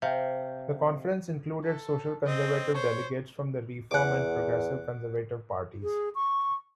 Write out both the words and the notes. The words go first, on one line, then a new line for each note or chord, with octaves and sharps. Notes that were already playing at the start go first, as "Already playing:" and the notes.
The conference included social conservative delegates from the Reform and Progressive Conservative Parties.
C3 F5 G5
A4
C4 D#5
C5 C#5
E2 F#5 D6
G#4
C#6